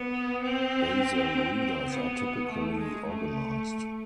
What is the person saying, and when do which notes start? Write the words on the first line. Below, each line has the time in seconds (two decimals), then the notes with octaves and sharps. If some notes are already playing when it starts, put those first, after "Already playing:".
Basal readers are typically organized.
Already playing: B3
0.43 C4
1.60 C4
1.90 B3
2.49 A3
2.78 G#3
3.07 A3